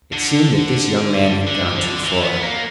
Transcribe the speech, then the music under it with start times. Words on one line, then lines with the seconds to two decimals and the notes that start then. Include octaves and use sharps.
It seemed that this young man had gone too far.
0.13 D3
1.47 D3
1.76 D3
2.04 E3
2.24 B3
2.43 A#3